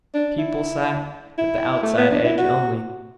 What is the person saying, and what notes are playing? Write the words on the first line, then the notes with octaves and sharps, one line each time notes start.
People sat at the outside edge only.
D4
E4
E4
A3
B3
D4
E4
F#4